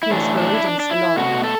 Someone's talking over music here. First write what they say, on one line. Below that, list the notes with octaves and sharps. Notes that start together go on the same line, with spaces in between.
He is buried in Ceylon.
E4
A2 E3 A3 D4
D4
E4
D4
D4
E4
B2 A3 F#4
A4